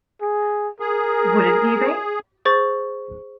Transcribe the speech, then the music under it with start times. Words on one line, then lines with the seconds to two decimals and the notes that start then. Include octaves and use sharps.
Wouldn't you be?
0.22 G#4
0.80 G#4 A#4
2.45 G#4 C5 C#6 A6